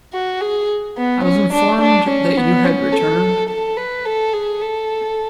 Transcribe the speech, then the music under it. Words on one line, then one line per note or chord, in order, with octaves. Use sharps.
I was informed that you had returned.
F#4
G#4
B3
C#4
D4
D4
C#4
B3
C#4
A4
A4
B4
A4
G#4
A4